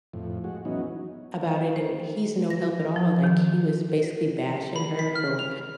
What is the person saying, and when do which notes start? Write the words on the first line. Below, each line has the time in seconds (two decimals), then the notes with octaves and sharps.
about it, and he's no help at all, like, he was basically bashing her for
0.14 F2 A2
0.44 G#3 F#4
0.65 E3 F#3 B3 C#4 D#4
1.76 C5
2.50 A#6
2.96 F3
3.24 D#3
4.76 B5
4.99 B6
5.15 F6
5.39 F7